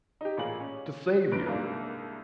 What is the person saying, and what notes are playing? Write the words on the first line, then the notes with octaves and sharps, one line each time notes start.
"To save you!"
D#4 G4
A1 A#2 A#3 G#4 F#7
C#4
F1 B4 D7
C2 G#2 A#3 D4